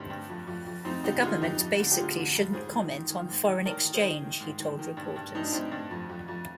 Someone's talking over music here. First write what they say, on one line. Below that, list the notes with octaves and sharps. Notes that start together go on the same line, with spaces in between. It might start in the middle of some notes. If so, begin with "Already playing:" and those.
The government basically shouldn't comment on foreign exchange, he told reporters.
Already playing: G2 D3 C4 D#4 G4
G2
F2
F2
F2
F2 C4 D#4
D3 D#4 G4
D3 F4 G#4
F2 D#4 G4
F2
D3
G4
D3 F4 G#4
D3
F2
G#2 G#4 C5
D#3
D#3
D#3
G#2
D#3
D#3 A#4 D5
D#3
G#4 C5
D#3
D#3
G#2
D#3
D#3
G2
G2
G2 D#4
D4
G2 C4 D#4
G2
F2
F2
F2